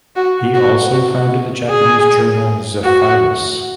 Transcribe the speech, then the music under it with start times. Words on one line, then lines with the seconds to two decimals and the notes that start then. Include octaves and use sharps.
He also founded the Japanese journal "Zephyrus".
0.16 F#4
0.54 F#4
0.93 F#4
1.70 G#4
2.84 F#4